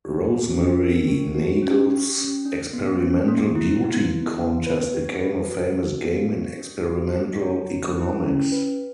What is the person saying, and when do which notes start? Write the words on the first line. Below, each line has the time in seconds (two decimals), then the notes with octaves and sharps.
Rosemarie Nagel's experimental beauty contest became a famous game in experimental economics.
0.24 F#4
0.52 C#4
0.79 A#4
1.08 G4
1.35 F#4
1.63 C#4
1.90 G4
2.18 C#4
2.45 D4
2.73 B3
3.01 C#4
3.28 A#3
3.55 E4
3.84 B3
4.10 E4
4.39 B3
4.67 B4
4.94 G4
5.21 B4
5.49 F#4
5.76 F#4
6.04 B3
6.31 G4
6.59 D4
6.86 F#4
7.14 B3
7.42 C#5
7.70 F#4
7.97 E4
8.24 C#4
8.52 B4